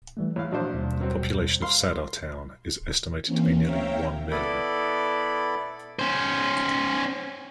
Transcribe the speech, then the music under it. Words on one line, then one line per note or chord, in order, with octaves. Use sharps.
The population of Saddar Town is estimated to be nearly one million.
E3 G3 A3
E2 C#5 F5
A#1 D4 F#4 C5
D#2 B2 G3
F#3 C4
F5 C6
E3 A#3 C4 C#4
C#5 E5 F5 G5 A#5
B3 E4 A4 D5 B5
C#4 C5